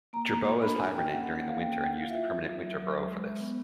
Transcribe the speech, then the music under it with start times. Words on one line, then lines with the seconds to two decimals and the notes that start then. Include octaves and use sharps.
Jerboas hibernate during the winter and use the permanent winter burrow for this.
0.13 A#3 A#5
0.30 A#3
0.46 F#4
0.62 D4 B5
0.78 F#4 G#5
0.95 A#3 G5
1.12 C#4 F#5
1.23 F#5
1.27 A#3
1.35 F#5
1.43 A#3 F5
1.60 C#4 G5
1.73 G5
1.77 A#3
1.85 F#5
1.92 E4
1.97 F5
2.09 F4 E5
2.25 F#3
2.42 F4
2.58 F#3
2.74 F#3
2.91 F#3
3.08 G#3
3.23 G#3
3.40 B3